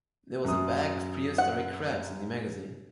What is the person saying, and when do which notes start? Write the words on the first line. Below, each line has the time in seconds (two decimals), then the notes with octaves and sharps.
There was a bag of prehistoric crabs in the magazine.
0.45 F#2 D#6
1.38 F#5